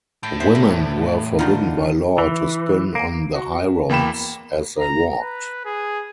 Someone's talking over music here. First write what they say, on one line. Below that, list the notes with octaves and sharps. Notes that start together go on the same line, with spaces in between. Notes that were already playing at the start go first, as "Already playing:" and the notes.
Women were forbidden by law to spin on the highroads as they walked.
A2 G5
B3 C5 E5
E2 G3 C#4 E5
D2 D3 D#3 G3 F4 A#5
E3
A#3
F#4
E2 A#3 G5 B5 E7
A#5
B4
G#4